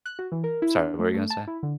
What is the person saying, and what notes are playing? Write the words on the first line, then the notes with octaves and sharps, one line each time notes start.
Sorry, what were you gonna say?
F#6
F#4
E3
A#4
E4
D4
A3
A3
A5
E4
D3